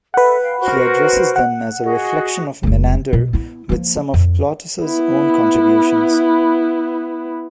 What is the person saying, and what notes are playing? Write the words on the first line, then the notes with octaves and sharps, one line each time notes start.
He addresses them as a reflection of Menander with some of Plautus' own contributions.
A4 B4 E5 F#5
F5 G5
F#4 A#4 C5
F#5
F#4 G#4 D#5
F1 C#2
B2
B3 E4
F3 A#3
F2
B3 E4